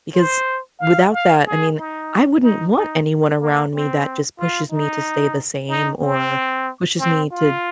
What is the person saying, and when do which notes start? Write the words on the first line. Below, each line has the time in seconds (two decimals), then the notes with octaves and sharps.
because without that, I mean, I wouldn't want anyone around me that just pushes me to stay the same or pushes me to
0.15 C5
0.80 F5
1.13 F5
1.46 G#4
1.78 D#4
2.43 D#4
2.76 D#4
3.41 A#3
3.74 C4
4.39 F4
4.71 D#4
5.69 D#4
6.01 C4
6.99 C4
7.32 F4